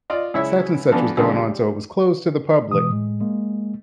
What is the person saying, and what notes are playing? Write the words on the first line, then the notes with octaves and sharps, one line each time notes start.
such and such was going on, so it was closed to the public."
F4 D5 D#5
C#2 E4 C#5 E5
D3 E3 F3 B3
C#2 D3 F3 C4
G3
B2 E3 G#3 D#6
A2 G#3
G#3 A#3